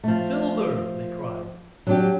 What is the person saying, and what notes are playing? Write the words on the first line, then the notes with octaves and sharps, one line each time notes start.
"Silver!" they cried.
F3 A3
F#3 D4 G4